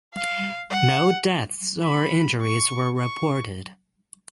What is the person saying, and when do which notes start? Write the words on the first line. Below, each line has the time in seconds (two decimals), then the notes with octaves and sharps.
No deaths or injuries were reported.
0.14 F5
0.70 F#5
1.84 B5
2.42 C#6
2.98 C#6